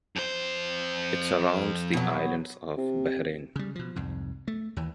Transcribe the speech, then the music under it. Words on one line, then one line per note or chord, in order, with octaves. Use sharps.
It surrounds the islands of Bahrain.
F2 C5
B2 F#3
C3
C#3 G3
B2 F3
C2 F2 G#2
A3
D#2 E3